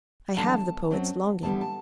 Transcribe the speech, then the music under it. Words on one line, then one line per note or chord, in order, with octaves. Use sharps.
I have the poet's longing.
E2 D3 F#3 A5
F#2 F#3 C4
E2 D3 G3 B3 A5
A5